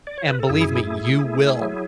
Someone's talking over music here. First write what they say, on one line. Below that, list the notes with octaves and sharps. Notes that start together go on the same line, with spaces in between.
And believe me, you will.
D5
C#5
B4
A4
F#2 E4 G#4
A3
A3
F#3